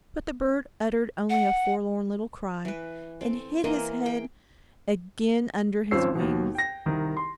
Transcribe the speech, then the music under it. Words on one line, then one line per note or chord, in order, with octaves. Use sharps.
But the bird uttered only a forlorn little cry, and hid his head again under his wings.
F#5
E3 B4
C4 A4
E3 A#3 A#4 D#5
G#4 G5
G#1 F3 C4 C#4 E6 C7
D#2 B2
G5 A#6
C2 D#3
C6